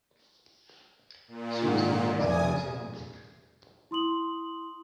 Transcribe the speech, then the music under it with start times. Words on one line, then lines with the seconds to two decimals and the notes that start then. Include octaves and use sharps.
She was replaced by Lucy Hambrick.
1.28 A#2
1.62 G#2 D#3
2.19 F1 D5 G#5 D#6
3.91 E4 C6 D#6 F#7